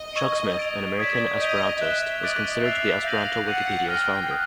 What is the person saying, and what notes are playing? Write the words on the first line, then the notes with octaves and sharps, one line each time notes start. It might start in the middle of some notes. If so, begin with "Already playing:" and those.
Chuck Smith, an American Esperantist, is considered to be Esperanto Wikipedia's founder.
Already playing: D#5
C#6 E6 G#6
A6 D7 F7
D5 D#6 G#6 B6 E7
D#5 G6 B6 D7 F7
E5 F#6 B6 E7 G7
D#5 D6 F#6 A6 D7 F#7
E5 E6 A6 C7 F7
F5 G6 A#6 D#7 F#7
F#5 F#6 A6 C7 D#7
G5 F6 A#6 D#7
D#6 F#6